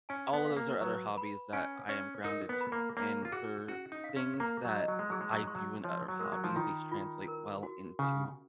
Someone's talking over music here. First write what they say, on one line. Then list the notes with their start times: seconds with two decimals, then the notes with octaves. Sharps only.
all of those are other hobbies that I am grounded to, and for things that I do in other hobbies, these translate well into
0.09 C#4 G#5
0.33 B3
0.45 F5
0.57 A#3
0.80 F#3 B4
1.17 B5
1.53 C#4 G#5
1.89 C#4 C#5
2.24 D#4 A#4
2.49 B3
2.61 B5
2.72 A#3
2.97 A#3 C#5
3.25 F4
3.32 F#4 G#4
3.68 C#4 F#4
3.92 D#4
4.04 F5
4.16 C#4
4.40 A#3 A#5
4.65 F#3
4.76 D#5
4.88 F#3
4.99 G#3
5.10 F#3 G#4
5.21 G#3
5.32 F#3
5.44 G#3 C#6
5.55 F#3
5.84 F3 C#5
6.08 F#3
6.19 G#3 A#4
6.33 F#3
6.44 F3
6.56 D#3 F4
6.92 F4
7.28 A#4
7.63 F#4
7.99 C#3 C#4